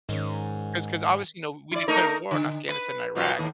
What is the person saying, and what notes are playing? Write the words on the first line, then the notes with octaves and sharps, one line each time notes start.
'Cause 'cause obvious you know, we declared war in Afghanistan, Iraq,
G#2 D#3 G#3 C#4
E4 D5
A3 D#4 A#4
D3
B4
F#2 B2 F4
D#2 A2